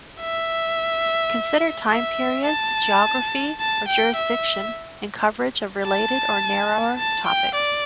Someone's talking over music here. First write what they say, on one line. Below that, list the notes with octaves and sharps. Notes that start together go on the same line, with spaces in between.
Consider time periods, geography or jurisdiction and coverage of related or narrower topics.
E5
E5
A5
A5
G5
E5
A5
A5
G5
D5